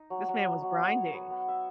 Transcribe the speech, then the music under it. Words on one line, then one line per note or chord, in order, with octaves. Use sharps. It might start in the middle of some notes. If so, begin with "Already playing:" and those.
This man was grinding.
Already playing: D#4
F#3
F#3
B3
F#3
B3
C#5
B3
B3
E5